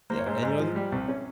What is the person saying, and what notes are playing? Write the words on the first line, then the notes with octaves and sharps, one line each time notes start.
Yeah, and, you know, the
A#3 C5
C#5
G#2 C5
G#2
F3
G3
C2
C#4